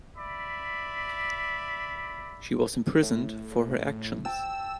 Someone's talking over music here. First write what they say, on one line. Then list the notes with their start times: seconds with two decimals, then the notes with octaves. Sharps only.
She was imprisoned for her actions.
0.16 D5 E5 B5
3.03 A2
4.25 G5 A5 E6